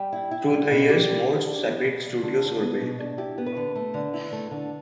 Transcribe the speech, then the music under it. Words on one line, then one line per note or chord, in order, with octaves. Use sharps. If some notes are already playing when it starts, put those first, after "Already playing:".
Through the years more separate studios were built.
Already playing: G3 G5
E4
E4
G3
B2
G3 G4
D3
E4
D4
B3
B2
G3
D3
E2
B3
B2
D4
E4 G4
B3
B4
D3
A3
D3
E4
A3
D3